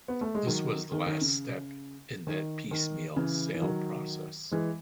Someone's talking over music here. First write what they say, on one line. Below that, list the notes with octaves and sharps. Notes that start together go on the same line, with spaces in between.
This was the last step in that piecemeal sale process.
B3
A3
G#3
D#3 F#3
D#3
D#3
C#3
D#3
D#3
C#3 E3
E3
D#3 F#3
E3 G#3